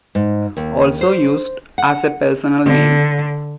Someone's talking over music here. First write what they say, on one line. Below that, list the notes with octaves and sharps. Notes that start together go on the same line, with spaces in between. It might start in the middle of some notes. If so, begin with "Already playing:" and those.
Also used as a personal name.
G#2
D#2
C5
F#5
D3